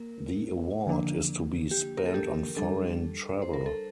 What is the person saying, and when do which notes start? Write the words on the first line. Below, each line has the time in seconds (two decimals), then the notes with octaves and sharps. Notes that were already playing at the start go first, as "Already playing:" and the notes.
The award is to be spent on foreign travel.
Already playing: A#3 A#4
0.87 D3 F3 A#3 D4
1.71 G4
1.97 A#4
2.06 A4
2.14 G4
2.57 G3 D4 A4
3.42 C5
3.53 A#4
3.66 A4